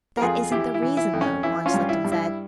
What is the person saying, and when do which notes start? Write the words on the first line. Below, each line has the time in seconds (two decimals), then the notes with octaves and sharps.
"That isn't the reason, though," von Schlichten said.
0.17 A#4
0.21 F2 F4 G#4
0.51 E3 E4 G4
0.74 E4
0.82 E3
0.97 E4
1.13 F2
1.21 C#4
1.43 E3 E4
1.66 C#4 F4
1.74 G2
1.89 E4
2.05 G2
2.12 E4